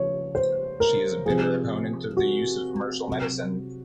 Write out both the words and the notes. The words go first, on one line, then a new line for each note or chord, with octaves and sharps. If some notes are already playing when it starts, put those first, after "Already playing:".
She is a bitter opponent of the use of commercial medicine.
Already playing: C#3 F3 C#5
C5
A#4
C3 F3 G#4
F#4
C3 F#3